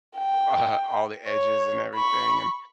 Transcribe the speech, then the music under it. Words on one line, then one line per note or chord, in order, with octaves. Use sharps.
uh, all the edges and everything, and
G5
C#5
B5 C#6